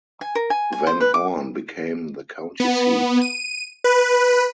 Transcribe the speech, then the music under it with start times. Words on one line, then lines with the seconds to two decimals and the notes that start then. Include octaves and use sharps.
Van Horn became the county seat.
0.21 G#5
0.35 A#4
0.50 G#5
0.73 G#5
0.87 C5
1.01 B4
1.14 D6
2.60 B3
3.21 D#7
3.84 B4